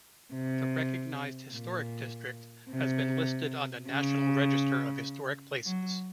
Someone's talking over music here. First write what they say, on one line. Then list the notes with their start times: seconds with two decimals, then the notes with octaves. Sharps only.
The recognized Historic District has been listed on the National Register of Historic Places.
0.34 C3
1.51 A#2
2.70 C3
3.88 C#3
5.66 F#3